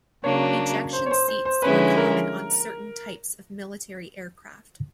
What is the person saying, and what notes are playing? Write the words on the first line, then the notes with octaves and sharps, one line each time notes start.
Ejection seats are common on certain types of military aircraft.
C#3 F#3 A#3 D4 C#5
C5
C#5
C5
C5
C5
D3 F3 G#3 C#4 E4 B4
A#4